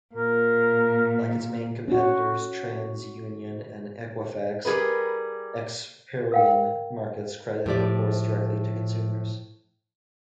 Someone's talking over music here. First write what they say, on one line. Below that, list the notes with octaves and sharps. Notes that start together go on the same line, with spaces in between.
Like its main competitors, TransUnion and Equifax, Experian markets credit reports directly to consumers.
A#2 A#4
C#4 F#4
G3 G#4 A#4 B4
A#4 F5 G5
A2 F3 G4 D5